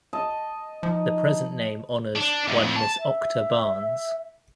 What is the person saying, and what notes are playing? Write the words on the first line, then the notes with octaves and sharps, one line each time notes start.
The present name honors one Miss Octa Barnes.
D#5 A5
F3 D#4
D4
E2 G#2
F2
A5
E5